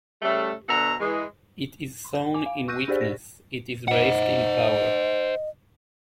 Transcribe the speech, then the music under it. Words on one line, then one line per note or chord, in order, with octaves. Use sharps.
It is sown in weakness, it is raised in power.
C#3 G3 A3
B2 D3 F#4 E5 A#5
E3 G#3
G#5 D6
F5
C#6 E6 F#6 G6 A#6 D#7
D4 G4 G#4 C5 D5
A#6
C5 D#5 F#5